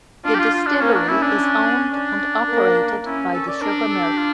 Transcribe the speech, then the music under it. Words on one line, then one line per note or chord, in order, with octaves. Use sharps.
The distillery is owned and operated by the sugar mill.
D4 F4
G4
F4
F4
D4
A#3 C#4
D4
C#4 E4
D4
D4
A#3
C#4 E4
A4
D5
D4 A#4
A4
G4
F4